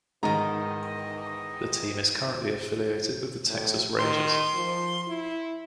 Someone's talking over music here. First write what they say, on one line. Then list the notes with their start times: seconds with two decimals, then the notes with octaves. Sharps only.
The team is currently affiliated with the Texas Rangers.
0.23 G#2 D#3 E3 B3 D#5 A#5
3.48 A2
3.99 D#3 C6
4.55 F3
5.08 E4